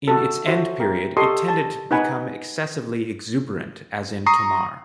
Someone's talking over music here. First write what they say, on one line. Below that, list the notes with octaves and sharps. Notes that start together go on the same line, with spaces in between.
In its end period it tended to become excessively exuberant as in Tomar.
F#4 A4
F#4 C5 E5
A#4 G5
G4 A4 D#5 C6 C#6 D#6
A5
D#4 B4 F#5 G#5 B5
A#5 C#6 D#6 C7